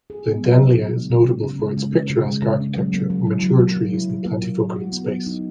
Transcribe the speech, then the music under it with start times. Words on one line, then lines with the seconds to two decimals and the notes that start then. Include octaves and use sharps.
Lindenlea is notable for its picturesque architecture, mature trees, and plentiful green space.
0.10 G#4
0.27 B3
0.43 F#3
0.60 D#4
0.77 C#3
0.93 G#3
1.10 C#3
1.26 C#4
1.44 C#3
1.59 G#3
1.77 C#3
1.93 C#4
2.10 C#3
2.26 G#3
2.42 C#3
2.60 C#4
2.77 F#3
2.93 A#3
3.10 F#3
3.27 E4
3.43 F#3
3.60 A#3
3.76 F#3
3.93 E4
4.10 F#3
4.25 A#3
4.43 F#3
4.60 E4
4.76 F#4
4.92 B3
5.09 F#3
5.26 D#4